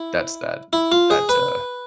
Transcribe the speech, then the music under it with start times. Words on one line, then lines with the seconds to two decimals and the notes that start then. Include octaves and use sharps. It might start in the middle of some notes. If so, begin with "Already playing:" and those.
that's that that's uh
Already playing: E4
0.73 E4
0.92 F4
1.11 G#4
1.29 B4